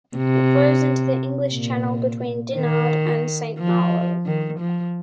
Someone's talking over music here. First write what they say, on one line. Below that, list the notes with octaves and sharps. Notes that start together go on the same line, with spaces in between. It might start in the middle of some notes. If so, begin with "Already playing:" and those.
It flows into the English Channel between Dinard and Saint-Malo.
C3
A#2
D#3
F3
D#3
F3